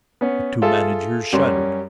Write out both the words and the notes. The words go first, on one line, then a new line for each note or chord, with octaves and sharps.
The two managers shuddered.
B3 C#4
F4 G#4 A4 E5
F#2 G3 C#4 C6